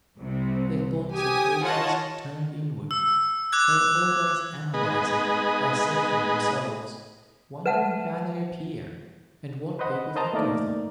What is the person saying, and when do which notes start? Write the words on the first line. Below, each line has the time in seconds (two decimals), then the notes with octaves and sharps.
Their thoughts are always turned inward; they are always analyzing, dissecting themselves, wondering how they appear and what people think of them.
0.17 C2 C3
1.14 G4 G#5 D#6
1.63 F4 C#5 D#5 F#5 A5
2.91 E6
3.52 D6 F#6 G#6
4.74 G#3 B3 D#4 G#4 B4 D#5
7.66 B4 E5 F#5 A5
9.79 B4 C5 D#5 F#5 B5
10.15 A#4 C5 D#5 A5 A#5
10.33 A3 A#3 D#4 A#4 D5